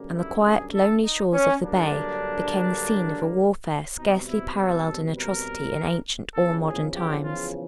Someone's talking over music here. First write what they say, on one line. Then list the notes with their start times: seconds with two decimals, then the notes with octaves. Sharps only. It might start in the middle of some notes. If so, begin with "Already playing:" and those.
And the quiet, lonely shores of the bay became the scene of a warfare scarcely paralleled in atrocity in ancient or modern times.
Already playing: G2 D3 F#3 A#3 C#4
0.14 E4
0.44 G#4
0.73 A4
1.03 D#4
1.33 C#4
1.62 G2 D3 F#3 A#3 D4
3.98 B2 G3 C4 D#4
4.28 E4
4.58 A4
5.17 A#4
6.35 E2 C#3 F3 A4
6.64 G#4
6.94 G4
7.23 F4